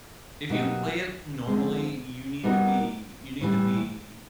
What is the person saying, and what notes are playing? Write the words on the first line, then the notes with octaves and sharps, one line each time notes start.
If you play it normally, you need to be you need to be
B2 F#3 A#3 D#4 G4
D3 F3 G#3 C4
G3 B3 D#4 F#4 A#4
A2 E3 G3